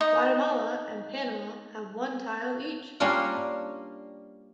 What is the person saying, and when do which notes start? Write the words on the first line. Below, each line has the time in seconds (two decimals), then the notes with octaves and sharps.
Guatemala and Panama have one title each.
0.01 D#4 D#6
3.00 G3 A#3 C#4 D4 F4